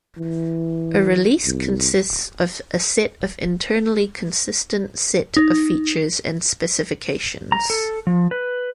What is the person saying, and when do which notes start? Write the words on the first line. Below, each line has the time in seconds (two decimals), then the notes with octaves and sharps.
A release consists of a set of internally consistent set of features and specifications.
0.17 E3
1.45 C2
5.37 D#4
7.52 A#5
7.70 A4
8.07 F3
8.31 B4